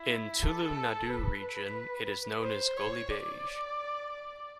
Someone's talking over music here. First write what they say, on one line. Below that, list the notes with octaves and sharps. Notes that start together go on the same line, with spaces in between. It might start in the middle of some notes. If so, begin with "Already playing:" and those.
In Tulu Nadu region, it is known as Golibaje.
Already playing: E4
A4
B4
C5
C#5
D5